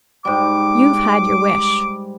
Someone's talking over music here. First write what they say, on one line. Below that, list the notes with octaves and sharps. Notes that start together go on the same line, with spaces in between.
You've had your wish.'
G#2 G3 D6